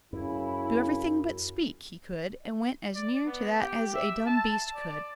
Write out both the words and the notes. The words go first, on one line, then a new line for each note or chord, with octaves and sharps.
Do everything but speak, he could, and went as near to that as a dumb beast could.
F#2 C#3 E4
D5
B3
G4
E5
A5
D5